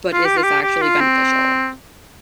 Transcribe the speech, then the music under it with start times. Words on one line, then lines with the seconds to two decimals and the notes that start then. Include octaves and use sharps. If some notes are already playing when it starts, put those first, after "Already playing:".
but is this actually beneficial?
0.13 F4
0.25 G4
0.38 F4
0.44 G4
0.63 G4
0.82 F4
1.01 C4